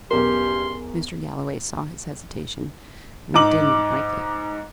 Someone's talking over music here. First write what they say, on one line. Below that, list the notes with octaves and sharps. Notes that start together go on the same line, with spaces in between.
Mr. Galloway saw his hesitation, and did not like it.
B1 E2 G2 C#4 G4 A#4 C6
G#2 D#4 D6 F#7